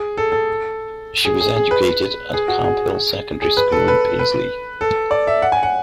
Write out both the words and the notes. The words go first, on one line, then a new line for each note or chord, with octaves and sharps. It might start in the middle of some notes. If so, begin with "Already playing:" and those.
She was educated at Camphill Secondary School in Paisley.
Already playing: G#4
A4
A4
G#4
G#4
G#4
B4
G#4
F#4
G#4
G#4
B4
A4
B4
B4
A4
D5
E5
F#5
G#5
F#5